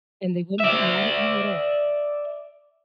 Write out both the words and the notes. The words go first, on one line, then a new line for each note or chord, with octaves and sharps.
And they wouldn't get mad at you at all.
D5 E5